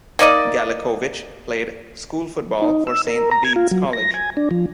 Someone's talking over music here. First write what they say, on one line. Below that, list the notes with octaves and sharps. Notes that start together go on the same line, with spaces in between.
Galekovic played school football for Saint Bede's College.
A#3 D#4 D5 D#5
D#4
E6
A#4
A#5
G#6
F4
F#3
A#6
G#5
D4
F3